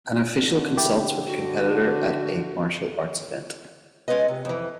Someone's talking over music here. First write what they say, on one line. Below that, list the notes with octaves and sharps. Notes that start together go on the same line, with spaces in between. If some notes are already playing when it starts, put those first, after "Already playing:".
An official consults with a competitor at a martial arts event.
D3
E4 G4 D5
D3 F#4
E5
G#3 C#4 F4 B4 D#5
C3
F2 E3